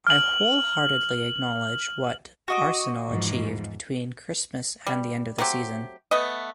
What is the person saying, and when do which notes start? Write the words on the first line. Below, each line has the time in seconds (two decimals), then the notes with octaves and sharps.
I wholeheartedly acknowledge what Arsenal achieved between Christmas and the end of the season.
0.07 F6 F#7
2.48 F#4 D#5 D6
3.07 E2 G#2 F3
4.87 G3
5.38 F#3 A3 C4 G4
6.11 A3 B3 D#5